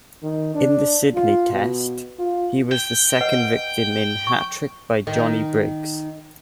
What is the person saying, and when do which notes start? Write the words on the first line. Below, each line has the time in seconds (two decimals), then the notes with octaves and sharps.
In the Sydney Test, he was the second victim in hat-trick by Johnny Briggs.
0.23 D#3
0.55 D4
1.15 F4
1.53 B2
2.19 F4
2.72 G5
3.21 B4 D#5 F#5
4.27 C#6
5.07 D#3